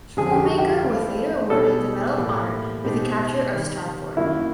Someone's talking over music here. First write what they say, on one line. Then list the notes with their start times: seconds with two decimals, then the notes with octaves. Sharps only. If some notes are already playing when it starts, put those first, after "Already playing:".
Schoonmaker was later awarded the Medal of Honor for the capture of Star Fort.
0.17 F2 D3 F3 G#3 G#4
0.31 G4
0.45 F#4
0.58 G4
0.84 C3 E3 A3 C4 F4
1.50 B2 G3 B3 D#4 G#4 A4
2.17 A2 E3 G3 A#3
2.84 B2 G#3 C4 D#4 G4
3.51 C3 D#3 G3
4.17 F#2 D#3 F#3 A#3 E4